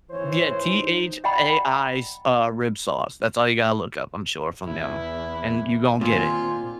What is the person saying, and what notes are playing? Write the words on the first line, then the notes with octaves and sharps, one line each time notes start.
Yeah. T-H-A-I's, uh, rib sauce. That's all you gotta look up, I'm sure, from them. And you gonna get it.
G#1 E3 C5 C#5
D#4
D5 D#5 F#5 G5 A#5 B5
E2 E3 E4
A#2 D#3 C4 F4 G#5